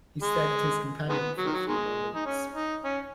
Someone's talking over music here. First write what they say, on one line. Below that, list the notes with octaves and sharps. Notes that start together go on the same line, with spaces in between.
He stared at his companion for a few moments.
G#3
D#3 G#3 B3
F#3
D#3
F#3
D#3 G#3
D#4
C#4
D#4
C#4